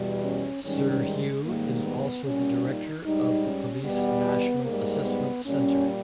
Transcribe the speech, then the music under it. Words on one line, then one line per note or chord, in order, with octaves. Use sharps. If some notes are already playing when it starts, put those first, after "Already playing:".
Sir Hugh is also the director of the Police National Assessment Centre.
Already playing: E2 B2 G3
C#4
G#2 D#3 G3 C#4
G#3
G#2 D#3 G3 A#3
B3
A#2 G3 C#4
D#4
G#2 G3 D#4
C#4
E2 B2 G3 B3
G#2 G3 A#3
B3
A#2 G3 C#4